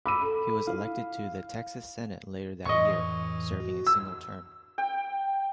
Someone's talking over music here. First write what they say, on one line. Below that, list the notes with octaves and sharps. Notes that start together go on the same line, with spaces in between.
He was elected to the Texas Senate later that year, serving a single term.
B5 D6 E6 D#7
A4
E4 F5
F2 A2 E3 D#5 C#6
F#4
E6
G5